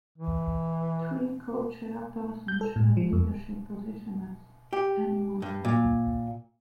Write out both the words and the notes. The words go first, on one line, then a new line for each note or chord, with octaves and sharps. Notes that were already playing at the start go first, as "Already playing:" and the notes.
Three co-chairpersons share the leadership position at any one time.
E3
G6
A4
A2
F3
F2
G4
G2
A#2